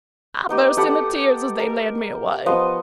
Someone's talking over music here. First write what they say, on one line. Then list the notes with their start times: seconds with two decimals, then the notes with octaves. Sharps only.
I burst into tears as they led me away.
0.49 B3 D#4 G4
0.77 G4 A4 F#5 B5
1.59 A#4
2.46 F3 B3 D#5